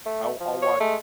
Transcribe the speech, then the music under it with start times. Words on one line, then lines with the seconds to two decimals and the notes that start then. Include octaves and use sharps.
I'll I'll watch
0.06 A3
0.40 F3
0.62 C#5
0.80 G#3 A3